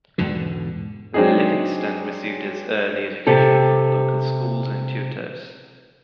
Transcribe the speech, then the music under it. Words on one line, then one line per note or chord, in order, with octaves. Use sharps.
Livingston received his early education from local schools and tutors.
E2 G#2 B2 D3
F#3 C4 D4 D#4 G#4
C3 G4 A4